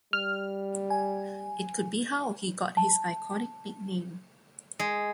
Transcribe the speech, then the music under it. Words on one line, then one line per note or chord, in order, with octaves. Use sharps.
It could be how he got his iconic nickname.
G3 F6
G#5
A5
G#3